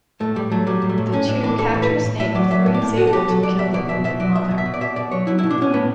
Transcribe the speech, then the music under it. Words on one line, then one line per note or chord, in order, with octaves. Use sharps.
The two capture Snake before he is able to kill the wounded Mother.
A2 A3
A2 G3
F#3 A3
F#3 G3
A2
A3
A2
A2 C#4
A2 D4
E3 D4
E3 A4
A2
B4
A2
A2
A2 E5
F#3 D5
F#3 E5
A2
D5
A2
B2 F#4
A4
B2 G4
F#3 A4
F#3 D5
B2 E5
B2 D5
B2 E5
B2 E5
F#3 D5
F#3 E5
B2
E5
B2
D5
B2 E5
B2 D5
F#3 C#5
F#3 E4
B2 E4
D4
B2 C#4
A2 B3